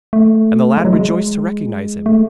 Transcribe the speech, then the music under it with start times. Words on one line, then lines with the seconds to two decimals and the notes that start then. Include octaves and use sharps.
And the lad rejoiced to recognise him.
0.13 A3
0.78 G#3
0.85 F#3
0.93 G#3
2.06 A3